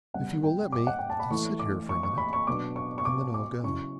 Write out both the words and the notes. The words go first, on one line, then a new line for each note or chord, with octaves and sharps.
If you will let me, I'll sit here for a minute, and then I'll go.
C#3 G3 B3 F#5
G5
D6
F#5
G5
A5
B5
E3 A3 E4 C#6
D6
C#6
C#6
B5
C#6
B2 F#3 B3 D4 D6
C#6
C#6
D6
D6
C#3 F#3 C#4 E4 C#6